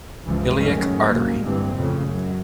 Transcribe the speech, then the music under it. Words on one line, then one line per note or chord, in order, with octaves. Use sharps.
Iliac artery.
C#2 G2 E3 F3
F#1 F#2 A2 D#3 G#3 C#4
C2 F#2 G#3 A#3
G1 G2 E3 C4
F2 A2 C#3
F#2